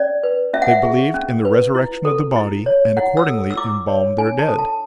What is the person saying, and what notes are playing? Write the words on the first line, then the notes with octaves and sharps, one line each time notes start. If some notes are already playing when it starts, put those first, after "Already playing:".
They believed in the resurrection of the body, and accordingly embalmed their dead.
Already playing: C#4 D5
B4
C#4 E5
F#5
E5
G#4
C#4
B4
E4
A4
E4
C#5
E4 F#5
E6
A4
E6
E4 D6
C#5
D4 G#5
A5
A4
A5